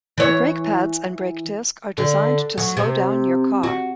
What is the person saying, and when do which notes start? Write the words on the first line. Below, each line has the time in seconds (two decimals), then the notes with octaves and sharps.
The brake pads and brake disc are designed to slow down your car.
0.18 E3 C#5
1.98 D3
2.58 F#3
2.77 C3
3.63 F#4